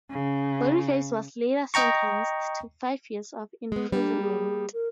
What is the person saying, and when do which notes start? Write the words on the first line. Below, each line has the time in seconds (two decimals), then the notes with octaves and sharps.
Boniface was later sentenced to five years of imprisonment.
0.11 C#3
1.74 D#5 G5 A#5 C#6
3.72 G#3 B3
3.92 G3 A#3 D4
4.20 G#4
4.73 A#4